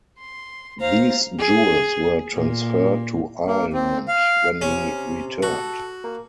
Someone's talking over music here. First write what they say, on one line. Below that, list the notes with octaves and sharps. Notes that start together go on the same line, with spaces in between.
These jewels were transferred to Ireland when he returned.
C6
C5 F5 A#5
G#4
A#2
A#3
C4
F5
C3 C#4
F#4 A4
A#3